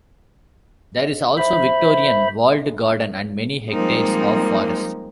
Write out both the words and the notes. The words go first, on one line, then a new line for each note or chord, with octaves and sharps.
There is also Victorian walled garden and many hectares of forest.
C5 E5 B5
F3 G3 G#3 A#3 C4 D#4